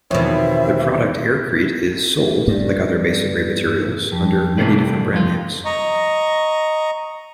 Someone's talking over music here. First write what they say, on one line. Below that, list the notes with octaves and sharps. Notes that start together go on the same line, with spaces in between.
The product aircrete is sold, like other masonry materials, under many different brand names.
E2 B2 D#3 F3 C4 C#5 E5
G2
F2
G2 C3 G3 A3 A#3 D4
F2 F4
D#5 A#5 C#6